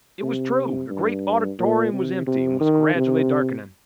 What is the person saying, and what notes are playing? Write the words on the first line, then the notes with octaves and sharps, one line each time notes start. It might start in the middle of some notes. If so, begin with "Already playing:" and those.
It was true, the great auditorium was empty, and was gradually darkening.
C3
G2
A#2
C3
C3
D#3
C3